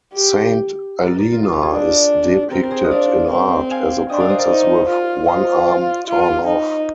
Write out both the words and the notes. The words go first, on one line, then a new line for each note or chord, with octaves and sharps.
Saint Alena is depicted in art as a princess with one arm torn off.
G4
A#4 D5
A#4 D5
F4
F4
D#4 G4
F4 G#4
D4
C4 G4 A#4
A#4
G#4 C5
D#5
D4 D5 F5
C4
F5 G#5
D4 D#5 G5
D5 F5
C5 D#5
A#4 D5
D#4
F4
F4 C5 D#5
D5 F5
F4
D#4